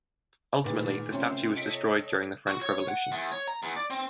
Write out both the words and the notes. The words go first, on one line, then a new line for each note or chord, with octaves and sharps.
Ultimately, the statue was destroyed during the French Revolution.
A#2 D#3 G#3 A3 B4 F#5
C3 C4 C#4 F4 A#4 C5 C6
A4 C#5 D#5 B6 C#7 D7
F#4
C#5
F#5
E2
C#5
A#5
E2
D5
C4